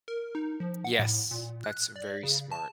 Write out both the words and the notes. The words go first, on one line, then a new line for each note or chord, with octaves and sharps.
Yes. That's very smart.
A#4
D#4
F3
F#5
A2
A#2
F#6
D5
C#3
A5